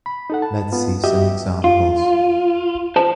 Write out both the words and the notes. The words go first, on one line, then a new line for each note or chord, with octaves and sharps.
Let’s see some examples.
B5
D#4 A4 F#5
A5
B3 F4
F#4 G4 D#5 E5
F4
C5 A5